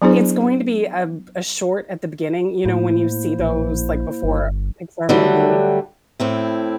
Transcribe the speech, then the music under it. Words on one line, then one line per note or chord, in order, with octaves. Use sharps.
it's going to be ab a short at the beginning, you know, when you see those, like, before a Pixar movie.
F#3 B3 D4 E4 G#4 C5
A2 A#3 E4 C5
A#1
G1
D3 F#3 G3 A3 D4
A2 C4 E4